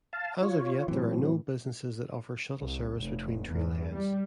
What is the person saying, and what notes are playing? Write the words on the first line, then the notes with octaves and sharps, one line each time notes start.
As of yet there are no businesses that offer shuttle service between trailheads.
F5 A5
F4 C#5
A2 E3 F#3 C4
C2
F1
E2
G3